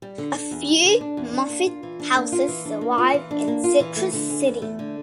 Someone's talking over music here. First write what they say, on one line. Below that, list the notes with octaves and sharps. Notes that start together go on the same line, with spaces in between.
A few Moffitt houses survive in Citrus City.
G3
D3
D4
E2
G3
D3
D4
E2
D4
A#3
F4
E3
D4
A#3
F4
E3
D4
A#3
F4
E3
D4
A#3
F4
E3
A3
D3
C#4
E2
A3
D3